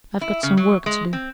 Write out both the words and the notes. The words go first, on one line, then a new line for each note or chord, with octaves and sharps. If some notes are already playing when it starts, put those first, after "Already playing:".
I've got some work to do.
E4
C#3
F#3
G#3
C4